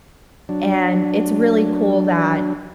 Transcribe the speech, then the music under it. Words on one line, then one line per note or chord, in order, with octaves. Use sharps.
and it's really cool that
F#3 D4